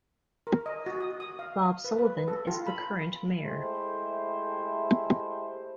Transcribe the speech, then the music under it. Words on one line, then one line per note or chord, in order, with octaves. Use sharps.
Bob Sullivan is the current mayor.
A#4
D#5
F#4
D#6
D#6
F5
B4
B4
A4
F4
B5
G#3 A3 E4 G4 C5